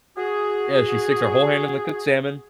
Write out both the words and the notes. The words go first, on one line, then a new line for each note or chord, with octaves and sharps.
yeah, she sticks her whole hand in the cooked salmon,
F#4 G#4